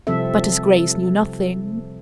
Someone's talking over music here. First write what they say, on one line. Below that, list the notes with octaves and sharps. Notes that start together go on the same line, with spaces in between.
But his Grace knew nothing.
C3 F3 G3 C4 A4 E5